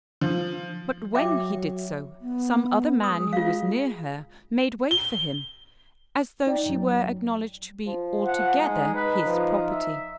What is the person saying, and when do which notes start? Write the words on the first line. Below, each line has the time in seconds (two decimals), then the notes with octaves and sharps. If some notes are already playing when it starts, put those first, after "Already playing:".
But when he did so, some other man who was near her made way for him, as though she were acknowledged to be altogether his property.
0.21 F3
1.15 F#3 E5 G5 D6
2.21 B3
3.03 G#3 D#6
3.33 F4 F5
4.91 G7
6.47 D#4 D5 G5
6.66 F#2 F#3
7.86 F3
8.26 F#5
8.57 G#3 D#4
8.94 B4
9.25 F3
9.69 E5